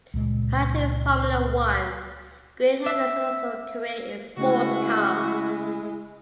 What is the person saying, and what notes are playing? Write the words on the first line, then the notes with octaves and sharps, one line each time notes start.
Prior to Formula One, Greene had a successful career in sportscars.
C#2 A#2 G#3
E5
C#3 G#3 A3 C#4 E4 F#4